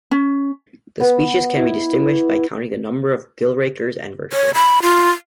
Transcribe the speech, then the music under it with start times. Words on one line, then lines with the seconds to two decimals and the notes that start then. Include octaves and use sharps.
The species can be distinguished by counting the number of gill rakers and vertebrae.
0.11 C#4
1.00 B3
1.56 E4
4.33 C#5
4.54 B5
4.82 F4